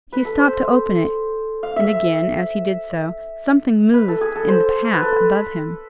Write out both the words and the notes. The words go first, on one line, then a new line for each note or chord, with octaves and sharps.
He stopped to open it, and again, as he did so, something moved in the path above him.
B4
A4
C5
F5
E5
B4
A4
G#4
A4
C5
B4
A4